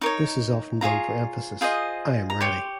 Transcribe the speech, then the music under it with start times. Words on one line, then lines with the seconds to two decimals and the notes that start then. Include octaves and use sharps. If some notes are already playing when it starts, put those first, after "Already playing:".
This is often done for emphasis: I am ready!
0.01 D#4 A#4 C#5 C#6
0.81 F4 G#4 C#5 A#5
1.61 F4 G#4 C5 D#5
2.30 A#5
2.40 G4 C#5 C6